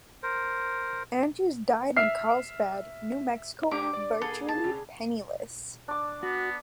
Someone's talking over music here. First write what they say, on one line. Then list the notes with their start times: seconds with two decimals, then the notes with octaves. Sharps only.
Andrews died in Carlsbad, New Mexico virtually penniless.
0.23 A#4 C5
1.97 E5 F6 C7
3.71 G#3 D4 G4 D6
3.93 D5
4.22 A#3 G#4 A4
4.48 A5
4.64 C3
5.88 D4 D6
6.23 B3 F#4